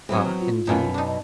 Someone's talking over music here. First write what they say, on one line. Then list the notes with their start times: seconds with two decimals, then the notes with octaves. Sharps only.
"Ah, indeed?"
0.09 A2 F#3 B3 C4 G#5
0.41 F4
0.67 F#2 B2 A#3 B3 C#4 D#4
0.94 D4 D#4
1.06 D#5